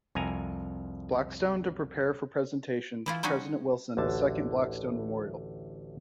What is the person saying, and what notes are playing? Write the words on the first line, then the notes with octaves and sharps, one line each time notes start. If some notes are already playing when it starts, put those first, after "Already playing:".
Blackstone to prepare for presentation to President Wilson a second Blackstone Memorial.
C2 F2 G#5 A#5
E3 E4 F4
G3 C4 C#4 D#4 F#4 G#4
A1 D2 D3 A5